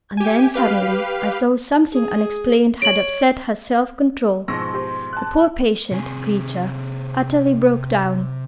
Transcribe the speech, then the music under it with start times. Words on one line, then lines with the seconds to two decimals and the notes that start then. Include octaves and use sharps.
And then suddenly, as though something unexplained had upset her self-control, the poor patient creature utterly broke down.
0.17 G4 G#5
0.54 G4 B4 F5
1.93 G#4
2.82 C#5 D7 F#7
4.48 G#2 B2 F3 C6 C#6 E6 A#6
4.74 G4 C5
5.13 A5 F#6
5.91 C3 G#4